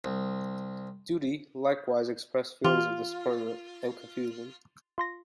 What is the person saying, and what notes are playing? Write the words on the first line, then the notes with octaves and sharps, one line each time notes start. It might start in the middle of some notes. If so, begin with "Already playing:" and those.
"Duty" likewise expressed feelings of disappointment and confusion.
C2
E3 F4 G4
F4 C6 A#6